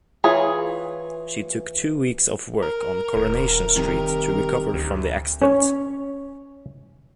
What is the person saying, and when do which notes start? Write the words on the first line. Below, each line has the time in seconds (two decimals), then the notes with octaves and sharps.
She took two weeks off work on "Coronation Street" to recover from the accident.
0.24 E3 F4 G#4 C#5
2.62 A#4
3.15 D#1
3.76 C3 D#3 G3
4.74 D2
5.42 C#4 C#5